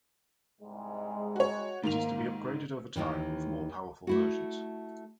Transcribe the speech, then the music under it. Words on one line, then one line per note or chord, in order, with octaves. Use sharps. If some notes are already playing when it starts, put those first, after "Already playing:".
It is to be upgraded over time with more powerful versions.
C2 G#2 G#3
F#4 C#5
G#2 D#3 A#3 F7
D#2 G#2 D#3 E3
A3 E4 F#4